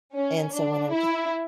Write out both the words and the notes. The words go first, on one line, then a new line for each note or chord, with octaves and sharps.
And so when I'm pl
C#4
D4
E4